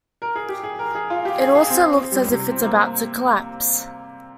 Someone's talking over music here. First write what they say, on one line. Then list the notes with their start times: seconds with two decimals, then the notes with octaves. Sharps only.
It also looks as if it's about to collapse.
0.22 A#4
0.36 G#4
0.49 G4
0.64 G#4
0.79 A#4
0.95 G#4
1.10 F4
1.25 G4
1.40 G#4
1.55 G#4
1.70 C4
2.12 G3
2.32 C3
2.51 C4
2.63 A#3